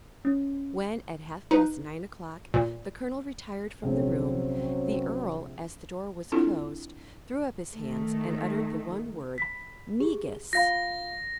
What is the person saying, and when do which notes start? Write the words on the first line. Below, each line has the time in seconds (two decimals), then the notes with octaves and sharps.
When, at half-past nine o'clock, the colonel retired from the room, the earl, as the door was closed, threw up his hands, and uttered the one word "negus!"
0.25 C#4
1.51 D#4 B4
2.54 A#2
3.83 A#1 C3 F#3 C4 C#4 G#4
6.32 C4 D4 E4 F4 A4
7.73 D#3 A3
9.38 B5 B6
10.00 G4 G#4
10.53 F4 F5 B5 A#6